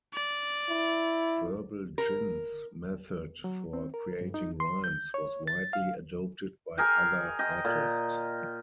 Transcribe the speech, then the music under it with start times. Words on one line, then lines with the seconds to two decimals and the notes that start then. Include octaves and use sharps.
Verbal Jint's method for creating rhymes was widely adopted by other artists.
0.13 D5
0.69 E4
1.98 A#4
3.44 F#3
3.73 C4
3.94 A#4
4.21 G2
4.34 D#4
4.60 C6
4.84 G6
5.14 C#5
5.47 A6
5.73 F5
6.78 G#4 A#4 G5
7.39 D#5 G5
7.65 A#2